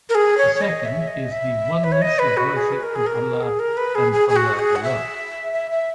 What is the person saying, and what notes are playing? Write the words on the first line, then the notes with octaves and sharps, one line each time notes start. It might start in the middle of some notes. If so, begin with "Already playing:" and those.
The second is the oneness of worship to Allah and Allah alone.
A#4
G#4
C#5
C#5
D#5
E5
D#5
E5
B4
C#5
D#5
B4
F#4
G#4
B4
A#4
G#4
A#4
G#4
A#4
B4
G#4
G#4
G#4
F#4
G#4
F#5
E5
E5
E5